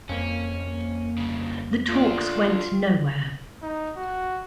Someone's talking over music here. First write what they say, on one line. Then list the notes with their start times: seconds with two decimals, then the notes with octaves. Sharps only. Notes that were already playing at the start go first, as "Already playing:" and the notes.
The talks went nowhere.
0.09 F2 A#3 C#4
1.18 G2 C#3
1.88 A3 D4 F4
3.62 D#4
3.97 F#4